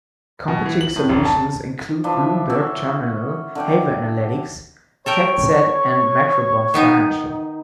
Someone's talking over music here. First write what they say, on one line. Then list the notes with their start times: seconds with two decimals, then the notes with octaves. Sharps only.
Competing solutions include Bloomberg Terminal, Haver Analytics, Factset and Macrobond Financial.
0.48 B2
0.65 E3
0.81 F#7
0.96 A2
1.09 F1
1.25 A5
2.04 E3 F3 D4 E4
2.50 C#4 F#4 E5
3.55 D3 D5 G5
5.06 A4 A#4 C#5 G5
6.74 D#3 B3 D#4